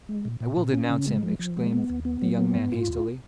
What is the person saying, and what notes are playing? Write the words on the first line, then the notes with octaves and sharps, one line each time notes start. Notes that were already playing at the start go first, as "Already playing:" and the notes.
"I will denounce him!" exclaimed the young man hastily.
G#3
A#2
A#2
A#2
C#4
C#3
G#3
F3
F3
G#3
B3
D#2
B3
F#3
B3
G#2
F4
D#2